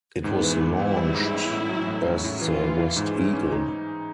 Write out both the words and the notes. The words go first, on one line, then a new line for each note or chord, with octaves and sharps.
It was launched as the "West Eagle".
G#2 B3
E3
E3
B3 E4
G3
G#2
C#4
A2
F#3
A2
C#4
A2
E3 F4
E3
E3
G#2
C#4
C#4
D#4